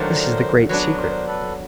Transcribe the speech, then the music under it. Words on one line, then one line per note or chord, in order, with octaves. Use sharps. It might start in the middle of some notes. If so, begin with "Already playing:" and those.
This is the great secret.
Already playing: D#3 F#3 A3 D4 F4 A#4 C5
F#3 B3 D4 B4 C#5
A#4 C5
A4 B4